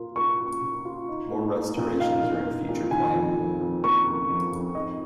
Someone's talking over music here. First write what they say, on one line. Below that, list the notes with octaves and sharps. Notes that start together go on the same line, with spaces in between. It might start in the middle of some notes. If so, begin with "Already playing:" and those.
More restorations are in future plan.
Already playing: A#2 A#3 F4
A#3 C#6
A#2
A#2
F4
D#4
A#3
A#3
A#2
D#4 F5
A#2
A#3
A#2
D#3 G#5
F2
F2
F2
A#3 C#6
F2
F2
F2
G#2 D#5